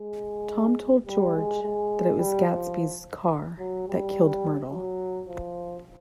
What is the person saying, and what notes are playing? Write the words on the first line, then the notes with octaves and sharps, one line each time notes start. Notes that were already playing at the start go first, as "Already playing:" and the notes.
Tom told George that it was Gatsby's car that killed Myrtle.
Already playing: G#3
G3
G#3
G#3
G3
F3
F#3
G3
F#3
F3